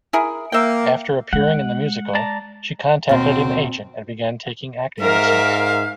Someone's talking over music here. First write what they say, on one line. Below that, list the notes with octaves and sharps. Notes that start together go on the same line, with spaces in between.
After appearing in the musical, she contacted an agent and began taking acting lessons.
E4 G#4 A#4
A#3 E5 G5
G#3 F#5
D5 A5 A#5
D#2 B2 C4
G#2 A#4 E5 F5